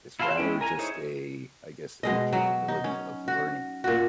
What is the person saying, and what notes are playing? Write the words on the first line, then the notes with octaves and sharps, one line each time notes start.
It's rather just a, I guess, incapability of learning.
E4 F4 F5 A5 C6
G#3 C#4 E4 G5
A#4 G#5 A#5
D#4 E4 G#4 C5 C#5
B2 G#3 D#5
F#3
D#4
C#4
F#4
A#2 F#4